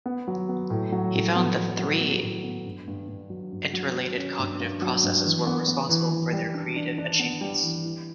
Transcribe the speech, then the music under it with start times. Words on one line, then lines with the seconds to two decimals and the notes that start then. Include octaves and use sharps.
He found that three interrelated cognitive processes were responsible for their creative achievements.
0.06 B3
0.27 F#3
0.49 B3
0.70 A2
0.92 F#3
1.14 A2
1.36 B3
1.57 F#3
1.79 F#3
2.00 B3
2.22 A2
2.44 B3
2.66 G2
2.87 G2
3.08 G2
3.30 F#3
3.52 G2
3.73 F#3
3.95 F#3
4.17 C#4
4.39 G2
4.60 G2
4.82 F#3
5.03 G2
5.25 E3
5.47 B3
5.68 B3
5.89 E3
6.11 E3
6.33 G3
6.54 D4
6.76 D4
6.98 D4
7.19 B3
7.41 G3
7.63 E3
7.84 E4